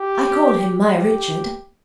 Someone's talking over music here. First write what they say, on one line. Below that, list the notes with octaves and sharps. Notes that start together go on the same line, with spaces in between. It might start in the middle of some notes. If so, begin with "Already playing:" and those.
I call him my Richard!
Already playing: G4
G4